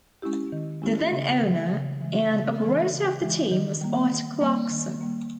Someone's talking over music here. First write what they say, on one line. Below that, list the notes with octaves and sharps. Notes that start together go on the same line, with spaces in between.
The then owner and operator of the team was Art Clarkson.
G#3 C#4 E4 G4
D#3
G#3 C#4 E4 G4
C#3
E3 G#3
C#3
E3 G#3
C#3
E3 G#3
C#3
E3 G#3
D#3
G3 A#3
D#3
G3 A#3
D#3
G3 A#3